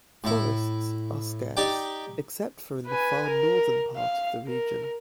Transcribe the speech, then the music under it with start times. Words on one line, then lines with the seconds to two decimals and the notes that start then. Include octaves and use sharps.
Forests are scarce except for in the far northern part of the region.
0.24 A2 E4
1.57 D#4 G4 D5 G5
2.86 B4 G#5
3.27 A#4
3.96 F5
4.47 A#4